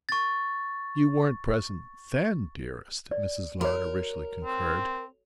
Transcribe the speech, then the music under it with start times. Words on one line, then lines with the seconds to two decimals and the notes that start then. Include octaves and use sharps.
"You weren't present THEN, dearest," Mrs. Lowder richly concurred.
0.09 C#6 A6
3.11 D5
3.61 F#4 A#4 C#5
4.45 C4